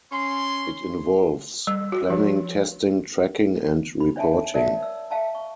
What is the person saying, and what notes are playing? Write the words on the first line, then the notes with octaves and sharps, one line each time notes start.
It involves planning, testing, tracking and reporting.
C#4 C6
G3
F#4
F3
B5
D4 C#5 E5 G#5 A5
A#4 C#5 D5 E5 A5
E6
E5 F5 A5 A#5
C#6